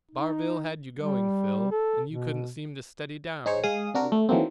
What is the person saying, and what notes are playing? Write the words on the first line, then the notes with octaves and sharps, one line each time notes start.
Barville had you going, Phil, and you couldn't seem to steady down.
D#4
G3
A4
B2
D#4 G#4 C5 C#5
G#3 G#4 F5 D#6
C3 D4 F#4 A#4
A3
D#3 E3 F#3 A3 A#3 C4